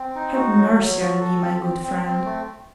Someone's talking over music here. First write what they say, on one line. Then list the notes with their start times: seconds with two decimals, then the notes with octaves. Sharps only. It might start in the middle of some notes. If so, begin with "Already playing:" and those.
Have mercy on me, my good friend.
Already playing: C4
0.15 D#4
0.35 F#4
0.57 F#3
0.78 F#3
0.99 F#4
1.20 A4
1.41 C4
1.62 C4
1.83 C4
2.04 C4
2.25 A3